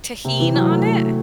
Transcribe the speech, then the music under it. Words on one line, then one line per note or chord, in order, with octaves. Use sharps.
tajin on it?
C3
E3
F#3
A3
A3